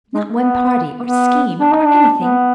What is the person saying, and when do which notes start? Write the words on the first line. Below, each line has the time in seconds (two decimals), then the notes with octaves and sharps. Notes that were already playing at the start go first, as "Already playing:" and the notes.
Not one party, or scheme, or anything.
0.14 G#3
0.34 B3
1.01 B3
1.59 D4
1.72 D#4
1.85 D4
2.17 B3